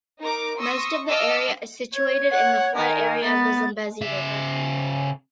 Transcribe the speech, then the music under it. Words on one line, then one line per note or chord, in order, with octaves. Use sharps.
Most of the area is situated in the flood area of the Zambezi River.
D#4 A#4 A#5 D6
C6 C#6 D#6 E6 A#6
D#5 A5 D6 E6 F6
C#5 G#6
F#5
D#3 A#4 G#5
B3 A6
C#3 E5